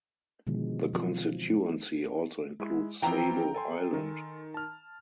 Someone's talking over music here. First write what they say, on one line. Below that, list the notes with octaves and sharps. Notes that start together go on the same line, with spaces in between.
The constituency also includes Sable Island.
B2 D3 D#3 F3 G#3
F3 F#3 C4 F4
G#3 E4
E3 F3 C4 G5 A#5
A4 G#5 C6
D#3
A5 F6